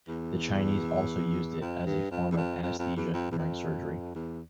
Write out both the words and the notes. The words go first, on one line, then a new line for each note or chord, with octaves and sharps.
The Chinese also used it as a form of anesthesia during surgery.
E2
F2
G2
F2
E2
F2
F2
F2
E2
F2
E2
F2
E2